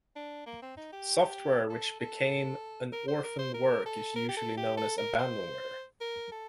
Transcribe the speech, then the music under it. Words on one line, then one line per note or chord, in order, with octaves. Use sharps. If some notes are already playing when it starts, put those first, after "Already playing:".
Software which became an orphaned work is usually known as "abandonware".
D4
A#3
C4
D#4
G4
A4
A4
A#4
C5
A#4
C5
A#4
A4
A#4
G4
A4
G4
A4
A#4
C5
A#4
A4